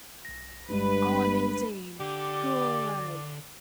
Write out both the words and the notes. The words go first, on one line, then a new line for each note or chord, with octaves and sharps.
Oh, amazing. Good.
B1 A#6
G1 G2 G#3 D4 B4
D3 G4 D5